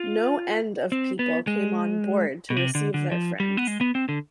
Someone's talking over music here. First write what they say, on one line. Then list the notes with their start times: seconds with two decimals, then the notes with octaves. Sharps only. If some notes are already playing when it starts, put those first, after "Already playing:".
No end of people came on board to receive their friends.
Already playing: F4
0.92 C4
1.19 B3
1.47 G#3
2.50 B2
2.56 C3
2.75 D3
2.94 D3
3.12 F3
3.40 G3
3.57 B3
3.67 G#3
3.81 B3
3.95 C4
4.09 D3